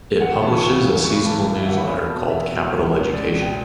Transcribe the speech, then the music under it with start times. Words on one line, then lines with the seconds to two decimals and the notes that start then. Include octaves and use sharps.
It publishes a seasonal newsletter called "Capital Education".
0.20 D2 F#5
0.32 G5
0.37 B5
0.42 C#3 E3 A5
0.52 C#6
0.62 D2
0.84 C#3 E3
1.04 G2 C#6
1.15 B5
1.25 E3 A5
1.36 B5
1.47 G2 B5
1.57 E5
1.67 E3 F#5
1.78 B5
1.88 E2 B5
2.09 B2 A5
2.30 E2 E5
2.52 B2
2.72 C#2
2.93 B2
3.14 C#2 D5
3.35 B2
3.42 G5